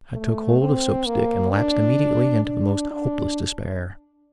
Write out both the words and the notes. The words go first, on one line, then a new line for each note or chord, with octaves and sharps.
I took hold of Soap-stick, and lapsed immediately into the most hopeless despair.
A3
C4
A#3
D4
D4
D4